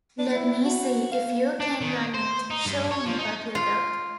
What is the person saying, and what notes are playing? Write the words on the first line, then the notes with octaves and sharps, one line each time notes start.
'Let me see if you can run it; show me what you got.
D4
E4
F#4
F5
D4
D#3
C5
D#4
G2
C#5
F3
D#4
F4